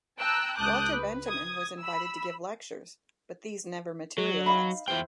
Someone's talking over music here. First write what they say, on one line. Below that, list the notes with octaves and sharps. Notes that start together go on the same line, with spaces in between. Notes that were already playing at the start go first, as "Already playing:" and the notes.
Walter Benjamin was invited to give lectures, but these never materialized.
G5 A5 A#5 E6 F#6
C#2 A5 D6 D#6 F#6 G6
B4
D#6 G#6
B5 E6
F#3
D#4 F5 B5
E2 E4 F4 C5 G5